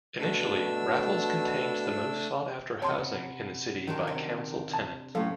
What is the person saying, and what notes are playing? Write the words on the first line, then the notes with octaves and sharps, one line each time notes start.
Initially Raffles contained the most sought after housing in the city by council tenants.
B2 A3 D4 E6
C3 B3 C#5 D#5 A5 C6
D#3 F#3 C4 D4
C3
A5
F#2 A2 C3 A4 F5